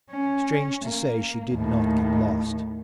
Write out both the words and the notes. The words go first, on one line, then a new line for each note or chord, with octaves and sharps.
Strange to say, she did not get lost.
C#4
A#3
D#2 A2